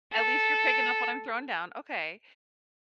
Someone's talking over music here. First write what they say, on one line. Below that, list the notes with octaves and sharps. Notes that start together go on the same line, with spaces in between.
at least you're picking up what I'm throwing down, okay.
A4